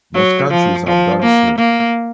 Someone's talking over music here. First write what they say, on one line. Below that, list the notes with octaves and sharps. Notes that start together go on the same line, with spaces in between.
Most countries have done so.
F#3
F3
F3
A#3
A#3